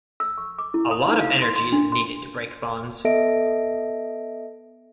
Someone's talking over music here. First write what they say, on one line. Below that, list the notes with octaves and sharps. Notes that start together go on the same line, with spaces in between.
A lot of energy is needed to break bonds.
E6
C#6
D6
E4
D#6
D#4
F5
C6
C6
D4
C6
B3 A4 D#5 E5 A#6 D7